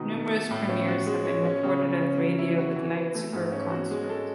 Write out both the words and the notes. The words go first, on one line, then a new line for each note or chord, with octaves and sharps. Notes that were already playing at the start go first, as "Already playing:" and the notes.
Numerous premieres have been recorded on radio with the Leipziger Consort.
Already playing: B2 D#3 D#4
B2
A3
A2
C#4
F#4
G#3
C#5
C#4
C#3
C#3
C#4
F#3
E4
F#4
E3
B4
A3
G#2
C#4
F#4
G#3
A4